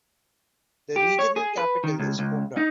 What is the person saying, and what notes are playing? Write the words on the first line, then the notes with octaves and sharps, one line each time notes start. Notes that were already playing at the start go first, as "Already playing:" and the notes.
The regional capital is Koumra.
G4
C#5
G#4
B4
D#3
C#2
C#2
D#4